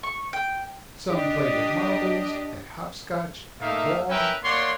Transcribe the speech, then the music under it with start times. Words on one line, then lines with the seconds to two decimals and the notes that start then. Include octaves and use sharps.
Some played at marbles, at hopscotch, at ball.
0.03 C#6
0.33 G5
1.08 D4 G4 D#5
3.61 A3 A#3 D#4 E5 F5
4.09 C#4 E4 A#4 B4 E5 G5
4.43 A#3 C#5 D5 F#5 C6